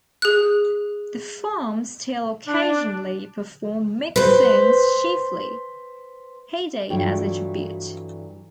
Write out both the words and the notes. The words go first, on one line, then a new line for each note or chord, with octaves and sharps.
The Frames still occasionally perform Mic's songs-chiefly "Heyday"-as a tribute.
G#4 F#6
D4
B4 C5
G2 E3 F#3 A3 F4 G5